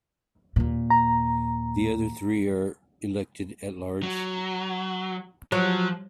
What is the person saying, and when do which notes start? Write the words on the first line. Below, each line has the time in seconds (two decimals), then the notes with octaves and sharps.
The other three are elected at-large.
0.56 D#2 A#2
0.90 A#5
4.03 F#3
5.52 F3 F#3